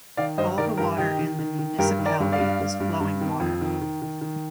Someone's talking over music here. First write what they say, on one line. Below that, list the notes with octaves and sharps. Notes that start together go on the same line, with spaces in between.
All the water in the municipality is flowing water.
D#3 D5 F5
G2 C5 D#5
D#3 A#4 D5
G2 G4 A#4
D#3 D#4 G4
D#3
D#3
D#3
G2 G4 A#4
D#3
A#4 D5
G2
D5 F5
G2
G2
G2
G2
D#3
F2
D#3
D#3
D#3
D#3